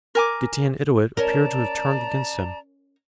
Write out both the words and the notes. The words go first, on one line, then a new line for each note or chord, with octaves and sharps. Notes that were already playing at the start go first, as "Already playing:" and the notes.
Getanittowit appeared to have turned against him.
A#4 G#5 D6
C#4 A#4 D5 A5 A#5